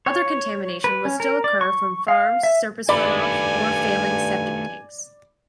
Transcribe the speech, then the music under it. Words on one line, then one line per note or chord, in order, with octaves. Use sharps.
Other contamination would still occur from farms, surface runoff, or failing septic tanks.
C#5
B4
C#4
A#4
D5
C#6
F5
E5
G2 D#3 A3 D5 G#5 B5